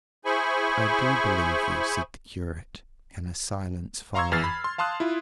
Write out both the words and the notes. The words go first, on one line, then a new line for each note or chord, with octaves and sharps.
"I do believe you," said the curate, and a silence followed.
E4 G#4 C5 G#5 B5 C#6
F5 A#5 C6 C#6 E6 G#6
E2 E3 F6 A6 C7
B5
C6
F5 A5 C6 D#6 F#6
E4 F4